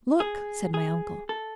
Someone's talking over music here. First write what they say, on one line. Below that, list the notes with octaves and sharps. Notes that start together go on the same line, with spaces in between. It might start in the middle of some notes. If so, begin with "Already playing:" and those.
"Look!" said my uncle.
G#4
G#4
A4